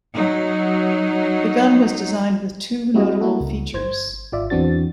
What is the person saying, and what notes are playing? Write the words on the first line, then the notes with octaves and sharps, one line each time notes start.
The gun was designed with two notable features.
F#3 D#4
G3 C4 E4 F#4 G#4 D#5
A#3 E4 F#4 A4
C#2
G1 C5 G#6
G#1 F4 D5 E5
E2 E3 C4 D4 F#4 A6